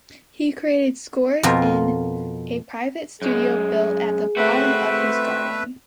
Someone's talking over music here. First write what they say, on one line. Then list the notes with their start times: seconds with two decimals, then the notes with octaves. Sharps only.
He creates scores in a private studio built at the bottom of his garden.
1.43 F2 B2 F4 A#4
3.22 F#2 G#3 G#4
4.37 A3 C4 F#4 B4 E5